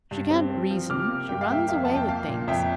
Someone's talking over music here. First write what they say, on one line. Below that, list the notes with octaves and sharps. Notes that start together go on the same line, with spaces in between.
She can't reason; she runs away with things.
G2
C4
C4
F3
C3 D6 F6
A#3
G2 G5
F5
A#3 E5 G5
F2 F5
F2 A5
G5
A#3 F5
A#2
F2 E5 G5